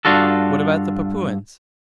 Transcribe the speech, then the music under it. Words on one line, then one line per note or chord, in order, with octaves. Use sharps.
"What about the Papuans?"
G2 D4 F4 F#4 A4